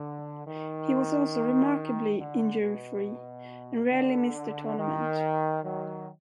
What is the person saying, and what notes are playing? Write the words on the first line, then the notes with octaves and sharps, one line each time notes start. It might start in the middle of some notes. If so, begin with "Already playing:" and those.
He was also remarkably injury free and rarely missed a tournament.
Already playing: D3
D#3
D3
B2
D3
D#3
D#3 F#3